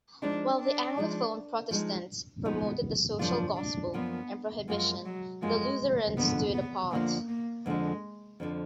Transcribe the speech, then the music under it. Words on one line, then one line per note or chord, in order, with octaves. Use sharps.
While the Anglophone Protestants promoted the Social Gospel and prohibition, the Lutherans stood apart.
F3 G#3 D4 D#4
D4
F3 G#3 D#4
F3 G#3 D#4
F3 G#3 B3 D#4
F#2 F3 A#3 D4 F4
D4
F#2 F3 A#3 B3 F4
F#2 F3 G#3 A#3 F4
F#3
F#2 F3 G#3 A#3 F4
F2 D3 F3 B3
B3
F2 D3 F3 A#3
A#3
F2 D3 F3 G#3
F2 D3 F3